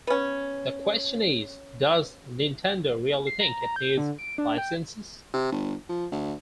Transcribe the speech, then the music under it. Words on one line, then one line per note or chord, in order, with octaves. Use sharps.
The question is, does Nintendo really think it needs licensees?
B3 C#4
C7
A#5
A#5
G6
D3
D7
D4
G5
C3
G1
F3
D2